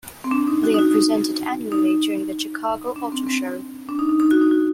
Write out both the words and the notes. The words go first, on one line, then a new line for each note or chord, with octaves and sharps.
They are presented annually during the Chicago Auto Show.
C4
D4
D#4
F#4
D#4
F#4
D#4
D#4
D4
C4
C4
D4
D#4
D#4
D#4
F#4
D#4
F#4